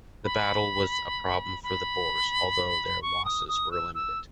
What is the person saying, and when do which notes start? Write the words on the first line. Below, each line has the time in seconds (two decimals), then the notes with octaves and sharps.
The battle was a problem for the Boers, although their losses were limited.
0.25 B5
1.63 B5
3.02 C#6
3.25 D#6
3.48 D#6
3.71 E6
3.95 E6